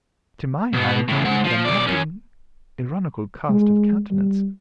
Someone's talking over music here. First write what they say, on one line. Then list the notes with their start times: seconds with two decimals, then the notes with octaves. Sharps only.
To my eye, you had a mocking, ironical cast of countenance.
0.73 B2 B3
1.08 A2 C#3
1.25 G#2 F#5
1.44 F3
1.65 B1 D5
1.87 F#2 C#4
3.49 G#3
4.11 G3